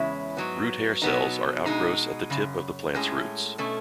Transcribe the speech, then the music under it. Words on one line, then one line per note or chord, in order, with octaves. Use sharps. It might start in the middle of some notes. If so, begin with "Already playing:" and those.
Root hair cells are outgrowths at a tip of the plant's roots.
Already playing: E2 C#3 G#3 C#4 E4
G#2 F#3 B3
B2 F#3 B3 D#4
B2 G#3 D#4
F#2 C#3
A2 G#3 C#4
B2 A3 C#4